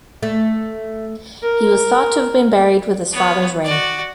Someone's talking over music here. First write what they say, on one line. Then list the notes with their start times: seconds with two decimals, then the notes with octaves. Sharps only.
He was thought to have been buried with his father's ring.
0.23 A3
1.42 A#4
3.12 B3 C#5
3.64 F#4 D5